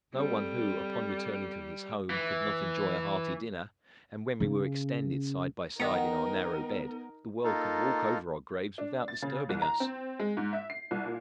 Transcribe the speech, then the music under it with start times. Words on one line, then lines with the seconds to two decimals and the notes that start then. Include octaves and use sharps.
No one who, upon returning to his home, could not enjoy a hearty dinner; and when we were extended side by side in our narrow bed, the world could walk over our graves without disturbing us.
0.15 G3 C4 A4
2.10 E3
4.40 C#3
5.80 D#3 B3 D#4 A#4 A#5
7.44 A#3 D#4 F4 A4
8.78 D4
9.08 A6
9.22 C#3
9.49 C2
9.62 A#5
9.80 C4
10.19 G#3
10.37 G#2
10.53 E5
10.70 C7
10.91 C2
11.05 A#2